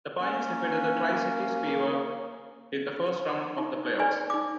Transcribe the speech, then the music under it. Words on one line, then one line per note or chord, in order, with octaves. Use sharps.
The Pioneers defeated the Tri-Cities Fever in the first round of the playoffs.
A#3 C#4
D#4
B4 D5 G#5
D#4 D6